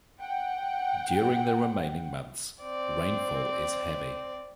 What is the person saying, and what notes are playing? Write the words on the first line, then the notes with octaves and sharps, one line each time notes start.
During the remaining months, rainfall is heavy.
F#5 G5
C4 D5